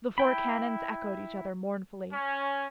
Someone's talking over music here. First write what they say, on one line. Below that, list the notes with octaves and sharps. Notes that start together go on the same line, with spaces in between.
The four cannons echoed each other mournfully.
E4 G5 B5
C#4